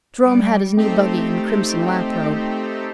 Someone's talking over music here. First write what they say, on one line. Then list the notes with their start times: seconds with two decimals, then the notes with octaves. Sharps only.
Jerome had his new buggy and crimson lap robe.
0.23 G3
0.76 A3 C4 D#4 G4